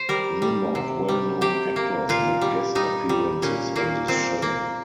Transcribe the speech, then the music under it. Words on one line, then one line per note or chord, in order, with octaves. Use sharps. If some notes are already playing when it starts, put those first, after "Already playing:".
A number of well-known actors made guest appearances on this show.
Already playing: C5
G3 A#4
G3
C3
G3
C3 G4
A#3
A#2 F4
G3
G3 D#4
G3
A#2 C#4
A#2 A#3
A#2 C4
A#3